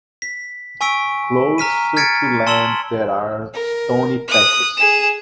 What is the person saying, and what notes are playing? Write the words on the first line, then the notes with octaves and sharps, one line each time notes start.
Closer to land there are stony patches.
B6
G#5 C#6 E6 B6 D7
A#5 F6 B6 D#7
F6 G#6 A6 B6 C#7 D7
A5 C6 E6 E7 F#7 G7
A#4
D#6 F#6
G#4 E7